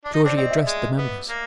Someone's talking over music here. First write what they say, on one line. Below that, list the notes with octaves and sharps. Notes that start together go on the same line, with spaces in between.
Georgie addressed the members.
D4
D#4
C4 D4 D5
C4 D#5
E5
G#3
B3
A#3